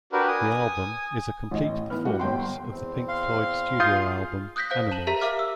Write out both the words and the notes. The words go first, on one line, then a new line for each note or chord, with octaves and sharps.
The album is a complete performance of the Pink Floyd studio album "Animals".
D4 F#4 G4 A#4 B4
G#5 D#6
A1 D#5
E3 B3 F6
G3 F#4 F#5
G1 G5 C6
E2 C4
F5 C6
F4 G#4 D#6 G6 C7
D#6 F#6 G6 A#6 B6
C5 F5 G6
A5 E7 F#7
G4 A#4 E5 A#5 B6
E5 F5 D6 F6
E6